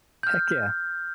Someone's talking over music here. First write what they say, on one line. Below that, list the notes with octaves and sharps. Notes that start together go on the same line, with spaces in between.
Heck yeah!
F6 G6